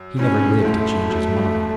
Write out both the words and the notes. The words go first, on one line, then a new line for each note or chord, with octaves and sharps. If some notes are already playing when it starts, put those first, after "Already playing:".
He never lived to change his mind.
Already playing: F#2
A2 C#4
G#2 A3
F#2